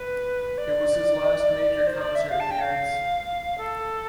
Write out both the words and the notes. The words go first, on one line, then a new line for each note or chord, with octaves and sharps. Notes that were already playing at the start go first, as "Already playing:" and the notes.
It was his last major concert appearance.
Already playing: B4
D5
C5
D5
E5
F5
A5
G5
F5
A4